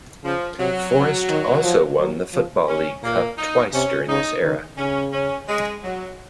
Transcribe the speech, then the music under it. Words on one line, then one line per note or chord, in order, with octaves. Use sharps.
Forest also won the Football League Cup twice during this era.
C#3 F3
C3 F#3
C#3
D#3
F3
F#3
F3
D#3 C#4
A#2 A#3
D#4
C3 C#4
C#3 D#4
D#3
C#3 C#4
C#4
G#3
F#3